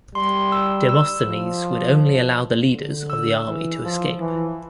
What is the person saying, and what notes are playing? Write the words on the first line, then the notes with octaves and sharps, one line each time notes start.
Demosthenes would only allow the leaders of the army to escape.
G3 C6
E6
E6
F3
D3
E6
E3
F3
E3